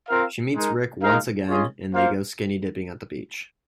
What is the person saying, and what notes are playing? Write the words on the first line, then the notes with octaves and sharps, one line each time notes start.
She meets Ric once again and they go skinny dipping at the beach.
C4 F4 A#4 F5
G#3 D#4 A#4
G#3 D#4 A#4 F5
C#4 F4 G#4 D#5
A#3 F4 C5 F5